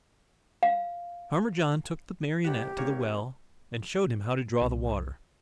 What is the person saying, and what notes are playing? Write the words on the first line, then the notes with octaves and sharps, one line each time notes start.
Farmer John took the Marionette to the well and showed him how to draw the water.
F5
C2 G4 F#5
G#1 A#3 C#5
C2